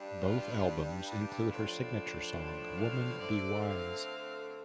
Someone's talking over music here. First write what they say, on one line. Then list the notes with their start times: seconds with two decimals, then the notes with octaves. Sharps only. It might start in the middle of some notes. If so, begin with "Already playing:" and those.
Both albums include her signature song, "Women Be Wise".
Already playing: G2 G3 D4
0.21 F4
1.07 D4
1.48 A2 F3 D4 F4
2.76 F5
3.18 D3 A3 C4 D5
3.61 F5